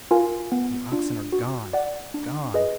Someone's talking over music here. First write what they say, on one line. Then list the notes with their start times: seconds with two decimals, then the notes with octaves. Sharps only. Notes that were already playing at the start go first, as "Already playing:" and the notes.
The oxen are--gone--gone!'
0.11 F4 A#4 F5 G#5
0.52 B3
0.92 D4 F4
1.32 F#4
1.73 D5 F#5
2.14 D4
2.54 G#4 B4 D#5